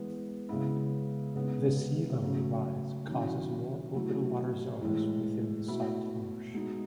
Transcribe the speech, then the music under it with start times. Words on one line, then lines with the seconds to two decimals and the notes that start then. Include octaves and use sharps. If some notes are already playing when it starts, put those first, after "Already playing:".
The sea level rise causes more open water zones within the salt marsh.
Already playing: E3 G#3 B3
0.49 C#3 G#3 B3 E4
1.35 C#3 G#3 B3 D#4
2.22 C#3 F#3 A3 C#4
3.08 D#3 F#3 C#4 E4
3.94 F#3 A3 E4
4.81 A2 E3 G#3
5.67 B2 A3 E4
6.54 B2 G#3 D#4